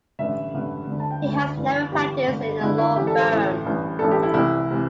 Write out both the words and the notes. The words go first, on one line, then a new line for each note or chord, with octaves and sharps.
He has never practiced in a law firm.
A1 G2 D3 E5
A1 G2 D3
D2 D3
A5
G5
D2 D3
G1 G2 E3
G1 G2 E3 G4
G1 G2 D3
G1 G2 D3 E4
E4
A1 A2 E3 G4
A4
C5
A1 A2 E3
A1 G2 E3
A1 G2 E3 A4
G4
E4
C2 C3 E3 E4
C3 E3